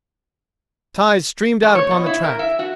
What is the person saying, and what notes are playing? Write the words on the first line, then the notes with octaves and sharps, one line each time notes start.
Ties streamed out upon the track.
A3
C#5
B2
E4
A#4
E5
F#4